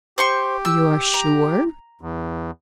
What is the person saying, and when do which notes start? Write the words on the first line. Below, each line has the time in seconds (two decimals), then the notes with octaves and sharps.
"You are sure?"
0.18 G4 C5 C6 C#6
0.65 E6
1.14 A#5
2.01 E2